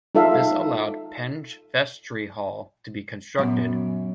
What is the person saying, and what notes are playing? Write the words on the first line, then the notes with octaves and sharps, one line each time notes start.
This allowed Penge Vestry Hall to be constructed.
D#4 F4 A4 E5 F5
F#2 A#2 B3